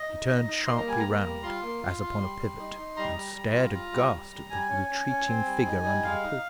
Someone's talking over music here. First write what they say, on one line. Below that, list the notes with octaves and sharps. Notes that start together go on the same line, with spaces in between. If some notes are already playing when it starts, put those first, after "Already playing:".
He turned sharply round, as upon a pivot, and stared aghast at the retreating figure under the porch.
Already playing: D#5
D#4
D#4
D#4
A#3 C6
A#5
G3 G#5
A#3 A#5
G3
F4 C6
A#3
F4
F4
G3
G3
D#4
D#4
G3 A#5
G3
G3
F4
F4
G3
G3
G3
G3 G#5
C#4
C#4
C#4
C4
G3
D#4
G3
G#3 F5
D#4